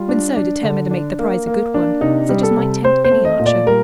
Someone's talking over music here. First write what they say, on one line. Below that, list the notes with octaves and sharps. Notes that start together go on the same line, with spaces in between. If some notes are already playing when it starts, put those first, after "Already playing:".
Monceux determined to make the prize a good one, such as might tempt any archer.
Already playing: G3 F4
D4
D4
D3
D4
A#3
A#3
D4
C3 D#4
G3
A4
C3
C4 C5
C5
A3
D#5
A#2
D5
G3 A#4